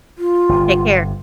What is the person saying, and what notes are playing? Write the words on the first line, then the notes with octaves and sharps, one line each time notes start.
Take care.
F4
G1 C3